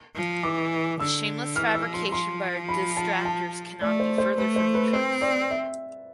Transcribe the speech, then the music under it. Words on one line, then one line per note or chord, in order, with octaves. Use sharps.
The shameless fabrication by our distractors cannot be further from the truth.
F3
E3 D6
D3 E6
E3 F6
E6
F3
C6
F3 C6
B5
A5
A5
A3 D5
C5
C5
A3 B4
C5
B4
C4 C5
D5
E5